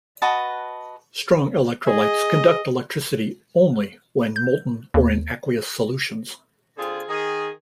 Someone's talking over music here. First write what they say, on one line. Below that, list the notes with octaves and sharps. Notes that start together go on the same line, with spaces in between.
Strong electrolytes conduct electricity "only" when molten or in aqueous solutions.
F#4 B4 D#5 A5
G#4 D#5
G6
D#2
D3 C4 F4 G#4
D#3 G#4